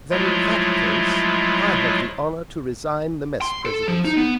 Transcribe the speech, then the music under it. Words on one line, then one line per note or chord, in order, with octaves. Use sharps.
"Then, in that case, I have the honour to resign the mess presidency."
F3 F#3 G#3 A3 E4 F4
C6
A4
F3
D#4
B3